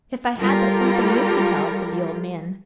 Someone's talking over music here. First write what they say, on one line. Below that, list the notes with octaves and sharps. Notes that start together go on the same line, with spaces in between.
"If I had but something new to tell," said the old man.
G3 F4 G4 A4 A#4